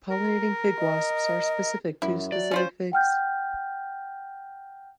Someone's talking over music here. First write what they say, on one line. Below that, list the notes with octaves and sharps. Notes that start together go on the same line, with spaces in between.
Pollinating fig wasps are specific to specific figs.
A#4
D#5
F#2 E4
F#3 D5
C#4 F4 C5
F#5 G5 F6 G6